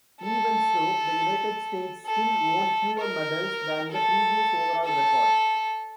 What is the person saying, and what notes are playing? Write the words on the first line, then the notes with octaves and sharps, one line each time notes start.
Even so, the United States still won fewer medals than the previous overall record.
A4
A4
A#4
A4
A4